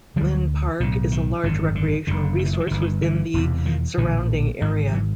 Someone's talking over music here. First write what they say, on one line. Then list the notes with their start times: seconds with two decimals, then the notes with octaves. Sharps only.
Linn Park is a large recreational resource within the surrounding area.
0.16 D2 D3 F3 G3
0.80 B1 A2 D3
1.12 D#3
1.43 G#1 F#2 D3
1.75 D3
2.07 F#1 F#2 D3
2.38 D#3
2.46 E3
2.53 D#3
2.60 E3
2.67 D#3
2.71 G1 G2 D3 E3
2.81 D#3
3.02 D3 E3
3.34 E1 E2 C3
3.66 D#3 F3
3.97 A#1 A2 D3 E3
4.61 G#1 G#2 D#3 F3
4.93 E3 F#3